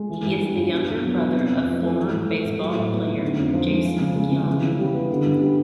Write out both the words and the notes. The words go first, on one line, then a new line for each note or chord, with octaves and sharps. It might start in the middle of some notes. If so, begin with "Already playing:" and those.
He is the younger brother of former baseball player Jason Giambi.
Already playing: G#3
E3
G2
G3
G2
B2
E2
F#3
B3
C3
F2
F3
A3
E3
G#2
A3
G#2
F#3
A2
B3
D#4
D3
F2
F3
G#3
F3
C#3
G#3
C#3
E3
C#3
G3
B3
D3
G2
G3